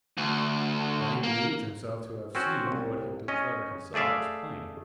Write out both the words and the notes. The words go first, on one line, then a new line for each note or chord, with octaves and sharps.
That he believed himself to have seen what he declared he saw was plain.
D2
A#3
C4 C#4 F#4 C5
C2
C#4 D#5
A3 G#4 D5 E5 F5